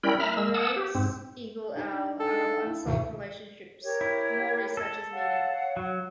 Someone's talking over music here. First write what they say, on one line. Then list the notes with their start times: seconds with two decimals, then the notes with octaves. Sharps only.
Verreaux's eagle-owl - are of unresolved relationships, more research is needed.
0.03 G3 C#4 E4 A#4 G5 B5
0.20 E5 A#5 B5 F6
0.37 G#3 E6
0.54 F#5 A5 D#6 E6
0.76 G4
0.95 G#2 C4
1.75 D4 D#4 G4
2.20 A4 F5 G5 E6
2.66 E4
2.85 D2 G#2 B2 D#3
3.82 G4 A#4 C#5
4.01 E4
4.77 A4
5.12 C#5 F5 F#5
5.77 F#3